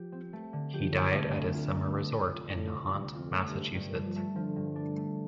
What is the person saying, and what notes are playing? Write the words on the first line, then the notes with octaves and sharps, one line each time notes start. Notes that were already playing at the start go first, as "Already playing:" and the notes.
He died at his summer resort in Nahant, Massachusetts.
Already playing: F3 G4
C4
A3
D3
F3 G4
C4
A3
D2 D3
F4
A3
C3
D2
F4
A2 A3
C3
G2
D2
F2 F4
A3
G2
C3
G2
D4
F3
A3
D3 F3
G2
D4
A3